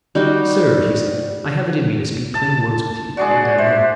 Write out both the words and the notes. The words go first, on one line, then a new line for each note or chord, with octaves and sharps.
"Sir," he said, "I have it in me to speak plain words with you, and I may."
G3 D#4 F#4 G4
A5
G#3 D4 F#4 D5
C5 E5